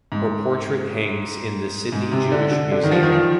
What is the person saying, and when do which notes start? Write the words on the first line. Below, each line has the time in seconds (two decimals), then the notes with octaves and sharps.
Her portrait hangs in the Sydney Jewish Museum.
0.12 G#2
1.92 G#2
2.12 C3
2.32 D3
2.52 D3
2.72 D3
2.83 D#3
2.91 F3
3.03 D#3
3.12 F3